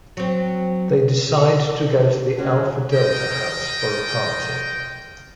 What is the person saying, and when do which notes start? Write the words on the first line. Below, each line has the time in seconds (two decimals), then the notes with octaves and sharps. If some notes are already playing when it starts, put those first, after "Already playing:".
They decide to go to the Alpha-Delta house for a party.
0.17 F#3 C4
1.31 E2 D3 A4
2.37 F#2 A#3 C#4 F#4 C5
2.92 F4 D#5 G5